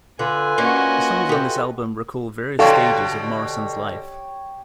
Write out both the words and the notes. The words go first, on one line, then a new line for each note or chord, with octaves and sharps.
The songs on this album recall various stages of Morrison's life.
D3 F4 B4 G#5
A#3 C#4 D4 F#4 D#5
G4 A4
B2 D3 G4 A4 C#5 D5 F5 G5